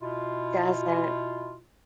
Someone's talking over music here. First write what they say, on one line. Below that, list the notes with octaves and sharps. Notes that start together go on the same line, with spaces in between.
It doesn't.
B2 E4 F4